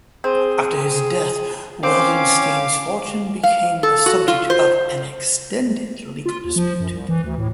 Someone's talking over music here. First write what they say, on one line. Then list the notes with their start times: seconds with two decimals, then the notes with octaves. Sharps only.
After his death, Wildenstein's fortune became the subject of an extended legal dispute.
0.24 C4 G#4
1.83 C4 C#4 F5 D6
3.43 F5
3.83 A4
4.06 F#4
4.28 F4
4.50 C5
6.26 F4
6.45 D#2
6.56 F3
6.80 F#2
6.92 C2
7.09 E3
7.24 D2
7.38 A2